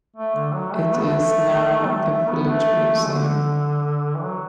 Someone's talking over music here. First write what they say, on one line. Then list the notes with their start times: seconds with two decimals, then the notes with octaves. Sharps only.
It is now the village museum.
0.16 A3
0.35 D3
0.54 F#3
0.74 A3
0.94 B3
1.02 A3
1.85 F#3
1.90 A3
2.09 A3
2.29 B3
2.49 A3
3.06 D3
4.16 E3
4.22 F#3